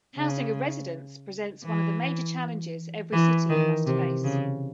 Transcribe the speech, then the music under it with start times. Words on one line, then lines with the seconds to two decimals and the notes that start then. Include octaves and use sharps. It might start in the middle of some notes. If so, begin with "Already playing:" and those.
Housing of residents presents one of the major challenges every city must face.
0.16 C#3
1.65 E3
3.13 E3
3.50 D#3
3.87 C3
4.24 C#3